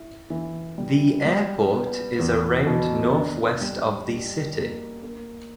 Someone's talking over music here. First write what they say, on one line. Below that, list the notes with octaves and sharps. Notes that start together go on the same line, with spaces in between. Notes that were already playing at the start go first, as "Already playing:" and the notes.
The airport is around northwest of the city.
Already playing: E4
E3
G3
G3
B3
E2
B2
D4
G3
G3
A#3
A#3